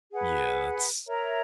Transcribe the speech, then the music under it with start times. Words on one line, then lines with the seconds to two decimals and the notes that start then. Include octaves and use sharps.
Yeah, that's
0.10 G#4 B4 F#5
1.06 A#4 C#5 E5 A#5